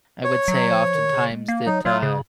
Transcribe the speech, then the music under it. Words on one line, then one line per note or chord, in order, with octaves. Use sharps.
I would say oftentimes that, uh,
C#5
F#3
F3
D#3
C#3
G#3
A#3
F#3 D#4
F#3 F4
C#3